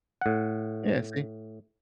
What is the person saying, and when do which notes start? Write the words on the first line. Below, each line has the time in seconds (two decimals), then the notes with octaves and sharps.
yeah, see
0.21 A2 F#5